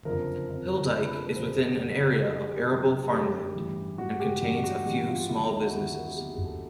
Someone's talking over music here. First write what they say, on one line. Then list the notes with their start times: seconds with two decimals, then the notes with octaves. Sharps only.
Hilldyke is within an area of arable farmland, and contains a few small businesses.
0.05 F#1 F2 D3 F3 A#4
0.49 F#1 F2 D3 F3
0.93 F#1 F2 D3 F3 B4
1.04 B4
1.15 A4
1.25 B4
1.36 F#1 F2 D3 F3 C5
1.51 G#4
1.65 G4
1.80 F#2 D3 F#3 F#4
2.02 G4
2.24 F#2 D3 F#3 G4
2.38 G#4
2.53 G4
2.67 F#2 D3 F#3 G#4
3.11 F#2 D3 F#3 G4
3.54 A1 G2 E3
3.98 A1 G2 E3 F#4
4.20 G4
4.42 A1 G2 E3 F#4
4.64 F#4
4.86 A1 G2 E3 G4
5.08 F4
5.29 D#2 D3 F#3 B3 E4
5.51 D#4
5.62 F#4
5.73 D#2 D3 F#3 B3 G4
5.94 F#4
6.09 F#4
6.16 D#2 D3 F#3 B3 G4
6.31 G#4
6.46 A4